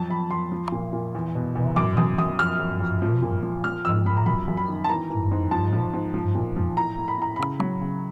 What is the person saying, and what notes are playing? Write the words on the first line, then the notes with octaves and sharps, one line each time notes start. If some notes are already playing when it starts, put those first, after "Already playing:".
Bonaventure was raided by Americans during the War of Independence.
Already playing: F2 F#3 A5
F2 B5
F2 C6
F3
A#2
A#2
E2
B2
E2
F#2 D6
F#2 D#6
F#2 D#6
F2 F6
F2
F2
F3
A#2
F3
F3 F6
F2 E6
F3 B5
A#5
F#2 B5
F#2
B5
D#3
A5
E3 A#5
E3
G#2
F3 A5
F3
G#2
F3
A#2
F3
A2 A#5
A2
B5
A2 A#5
C#3 B5
F#3
C#3